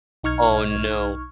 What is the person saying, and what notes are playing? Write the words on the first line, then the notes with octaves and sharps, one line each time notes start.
Oh, no.
B1 D#4 C#6 F6 G#6